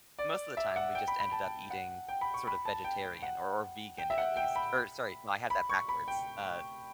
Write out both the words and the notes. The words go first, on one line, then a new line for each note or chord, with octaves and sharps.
most of the time, we just ended up eating sort of vegetarian or or vegan at least or sorry, no, I had that backwards, uh,
D5
E5
F#5
G5
B5
B5
A5
F#5
G5
B5
C#6
B5
A5
G5
F#5
G5
E5
F#5
G5
B5
B5
C#6
B5
G5